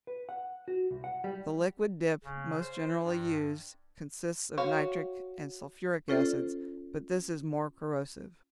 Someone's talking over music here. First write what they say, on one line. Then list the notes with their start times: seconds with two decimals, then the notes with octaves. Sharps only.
The liquid dip most generally used consists of nitric and sulphuric acids, but this is more corrosive.
0.07 B4
0.29 F#5
0.68 F#4
0.91 C2
1.04 F#5
1.24 G3
2.24 C#3
2.59 C5
3.03 G2
4.58 F#4 C#5 F5
6.08 C#4 F4 A4 C5 D5